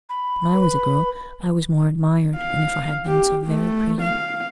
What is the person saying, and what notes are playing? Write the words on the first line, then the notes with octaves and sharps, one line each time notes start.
When I was a girl, I was more admired than if I had been so very pretty.
B5
B4
F5
G4
A3
F5